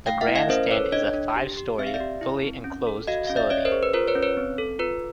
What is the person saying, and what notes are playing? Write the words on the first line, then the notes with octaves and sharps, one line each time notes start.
The grandstand is a five-story, fully enclosed facility.
A3 F5 G5
E5 F#5
E4
D#5 F5
C#4 A#4 C5
A4 B4 C#5
D4 C#5 D#5
D4
G4
G4
C4 E5
F5
D5 E5
G4
E4
C4
C#4
A4
F#4 D#5 F5
C#4 F5
D5 E5
C#4 C#5 D#5
A#4 C5
G#4
B4
F4 A#4 C5
B4 C#5
C#4
B4 C#5
C4
A4
F4 B4